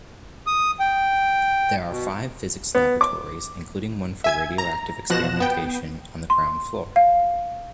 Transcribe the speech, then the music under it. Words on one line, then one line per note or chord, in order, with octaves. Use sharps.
There are five physics laboratories, including one for radioactive experimentation, on the ground floor.
D#6
G5
B2
B3
D6
E5 G#5 G#6
A#5
B2 F3 F#6 A#6 E7
B3 G5
C6
F5